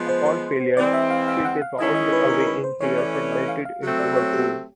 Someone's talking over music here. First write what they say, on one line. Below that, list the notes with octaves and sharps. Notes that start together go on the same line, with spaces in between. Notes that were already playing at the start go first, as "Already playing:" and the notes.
Upon failure, she dissolved away in tears and melted into her pool.
Already playing: F3 G#3 B3
C5
C5
E3 G#3 C4 D5
E5
F5
F5
F#5
F5
D#3 G#3 C#4 E4 D#5
D#5
B4
A#4
A#4
B4
C5
E3 A3 C#4 C#5
D5
D5
D#5
F5
F5
F#3 A3 C4
D5
C#5
G4